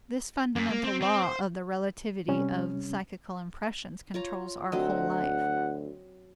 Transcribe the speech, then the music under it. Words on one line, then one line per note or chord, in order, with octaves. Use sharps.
This fundamental law of the relativity of psychical impressions controls our whole life.
F#2
A#3
C4
C4
C5
C3 G3 C#4
F4 C#5 A#5
D2 F#3 C4 D#5 F#5